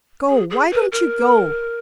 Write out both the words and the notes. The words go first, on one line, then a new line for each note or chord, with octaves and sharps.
Go--why don't you go?
G#4
G#4
B4
A#4